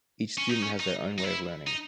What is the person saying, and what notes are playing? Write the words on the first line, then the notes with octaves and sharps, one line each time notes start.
Each student has their own way of learning.
C#4
D#4
C#4
D#4
D#4
E4
D#4